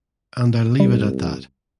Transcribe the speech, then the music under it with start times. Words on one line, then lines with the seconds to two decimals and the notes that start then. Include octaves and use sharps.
And I’ll leave it at that.
0.80 C2 G3